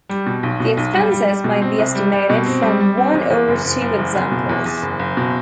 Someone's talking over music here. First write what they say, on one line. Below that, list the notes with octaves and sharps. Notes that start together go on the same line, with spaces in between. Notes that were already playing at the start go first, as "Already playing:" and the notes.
The expenses may be estimated from one or two examples.
G3
B2
B1
B2
B1
G3
G3
G3
B2
C4
C2
G3
G3
B2
C4
G3
G3
C4
E2
E2
F#1
F#1
F#1
E2
F#1
B2
E2
E2
F#1
F#1
B2